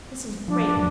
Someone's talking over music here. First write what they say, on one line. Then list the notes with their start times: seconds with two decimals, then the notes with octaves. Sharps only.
This is great.
0.48 F3 D4
0.77 E2 F#3 A3